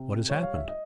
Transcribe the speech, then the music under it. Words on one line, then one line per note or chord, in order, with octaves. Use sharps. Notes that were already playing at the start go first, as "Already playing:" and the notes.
"What has happened?"
Already playing: C3
G3 C#5
F5
E5
D#5